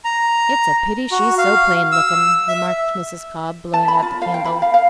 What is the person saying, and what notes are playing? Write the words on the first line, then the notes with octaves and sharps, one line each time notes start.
"It's a pity she's so plain looking," remarked Mrs. Cobb, blowing out the candle.
A#5
F#4
F5
E6
E5
A5
B5
F4
F5
G5
B5
F5
F5